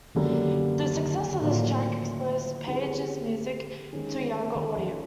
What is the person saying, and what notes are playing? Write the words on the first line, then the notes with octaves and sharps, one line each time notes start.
The success of this track exposed Page's music to a younger audience.
F#2 D3 D#3 G3 A#3
E3
D#3
D3
D#3
D3
A2 D#3 F#3 A#3 D4 F4
F3
D#3
D3 G3 C4 E4 G#4 B4
D#3 G#3 C#4
D#3
F3